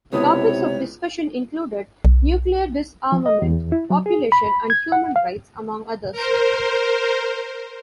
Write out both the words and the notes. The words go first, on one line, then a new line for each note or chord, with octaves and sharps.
Topics of discussion included nuclear disarmament, population and human rights, among others.
C#2 C3 B3 E4 C#5 D#6
B1
F3
D#5
E2
E4
F#3
G#4
B5
G#6
F#5
F5
A#4 C5